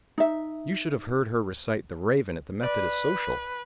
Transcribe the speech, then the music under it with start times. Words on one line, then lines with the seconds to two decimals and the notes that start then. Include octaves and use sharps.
You should have heard her recite "The Raven," at the Methodist Social!
0.18 D#4 E5
2.63 B4 D5